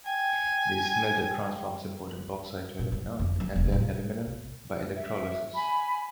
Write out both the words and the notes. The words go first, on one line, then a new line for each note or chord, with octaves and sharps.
The smelter transforms imported bauxite to alumina, and then to aluminum, by electrolysis.
G5 G#5
A#2
E4
F2 D3
F#3 C4
E1 A#3
A2 C#3
E5
G#5 B5